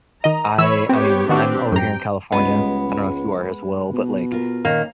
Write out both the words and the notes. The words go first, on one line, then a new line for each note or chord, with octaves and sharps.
I I mean, I'm over here in California- I don't know if you are as well, but, like,
D#3 D#5 A#5
E3 C#5 B5 E6
B3 C4 G4 C#5
D#3 B3 C4 D4 F#4 G4
F#2 G5 A#5
C#2 G3 G#3 B3 F5
G#3
B2
F4 A#4
A#2 D#3 A#3 C#4